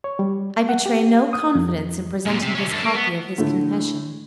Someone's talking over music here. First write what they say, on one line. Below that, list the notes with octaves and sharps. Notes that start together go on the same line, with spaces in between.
I betray no confidence in presenting this copy of his confession.
C#5
G3
F#5
G4
D#6
F2
F#2 A#2
C3
C3 C#4
F#2 D4
A#3
B3
A2 D3